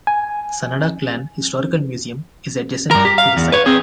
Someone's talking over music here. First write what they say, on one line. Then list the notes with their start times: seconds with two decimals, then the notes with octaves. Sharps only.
Sanada clan Historical Museum is adjacent to the site.
0.07 G#5
2.91 G2 A#4
3.05 G4
3.18 F5
3.37 E2
3.52 B4 C#5
3.66 C4 G#4